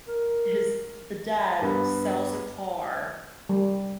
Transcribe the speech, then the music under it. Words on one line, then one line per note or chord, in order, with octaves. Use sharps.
his the dad sells a car
A#4
G2 B3 B5
G3